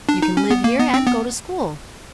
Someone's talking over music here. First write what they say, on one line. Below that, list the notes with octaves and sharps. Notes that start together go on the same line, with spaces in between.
You can live here, and go to school.
D4
D#4
C#4
B3
A#3
B3
C4
B3